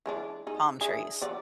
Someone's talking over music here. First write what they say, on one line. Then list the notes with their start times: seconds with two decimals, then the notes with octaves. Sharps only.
palm trees.
0.06 E3 G#3 D4
0.47 D#4 G#4
0.81 D4 E4 G#4
1.21 F3 D5 F#5